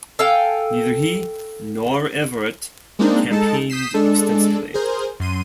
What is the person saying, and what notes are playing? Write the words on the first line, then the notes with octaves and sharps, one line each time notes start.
Neither he nor Everett campaigned extensively.
A4 F5 G5 G#5
G#3 A#3 C4 D4 D#4
G#3 D#4 A4 A5
D#6 G6 B6 C7 E7
G#3 D4 A4
G#4 A#4 C5
F#2 C6 D#7